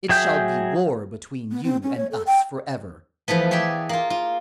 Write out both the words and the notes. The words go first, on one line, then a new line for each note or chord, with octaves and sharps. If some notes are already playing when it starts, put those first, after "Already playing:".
It shall be war between you and us forever.
F#3 G#4 E5 G5 G6
B3
C4
C#4
C#5
A4
G5
E3 F3 A3 B3
G#4 C#5 D5 E5 G5
A#3 F4
F4